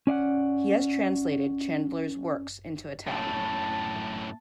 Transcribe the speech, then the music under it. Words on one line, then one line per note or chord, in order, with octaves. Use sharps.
He has translated Chandler's works into Italian.
C#4 D5 F5 F#5
F#2 A2 A5